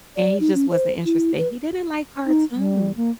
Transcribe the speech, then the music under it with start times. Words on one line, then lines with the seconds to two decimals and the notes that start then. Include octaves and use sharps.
and he just wasn't interested, he didn't like cartoons.
0.16 D5
0.40 D#4
0.54 C#4
0.71 C5
1.05 E4
1.38 B4
2.27 D#4
2.55 G3
2.97 A#3